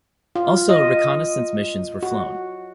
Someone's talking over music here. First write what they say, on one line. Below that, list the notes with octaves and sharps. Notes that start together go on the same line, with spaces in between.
Also reconnaissance missions were flown.
F4
D#5
F#4